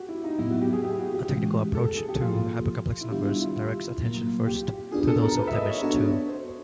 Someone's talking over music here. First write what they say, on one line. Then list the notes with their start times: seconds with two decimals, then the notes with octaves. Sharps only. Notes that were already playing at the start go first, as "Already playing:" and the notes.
A technical approach to hypercomplex numbers directs attention first to those of dimension two.
Already playing: F#4 G4
0.08 E4
0.24 D#4
0.38 A2 F#3 B3 E4
0.50 F#4
0.61 G4
0.73 G#4
0.84 G4
0.99 F#4
1.15 G4
1.29 A2 E3 G#3 C#4 F4
1.75 A4
1.86 A4
1.97 G#4
2.09 G4
2.20 A#2 F3 A#3 F4
3.01 E4
3.11 D#3 G3 B3 D4 F4 G4
3.26 E4
3.41 F4
3.57 F4
4.02 A#2 F#3 A#3
4.46 G4
4.91 B3 D4 F4 G#4
5.07 A4
5.22 A#4
5.37 B4
5.47 E5
5.52 D#5
5.68 C#5
5.82 B3 D4 F#4 A4 C#5
6.29 C5